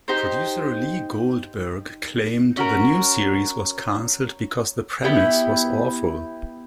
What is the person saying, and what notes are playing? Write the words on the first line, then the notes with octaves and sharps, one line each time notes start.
Producer Lee Goldberg claimed the new series was canceled because the premise was awful.
D#4 G4 C5
C#4 F#4 A#4
B3 E4 G4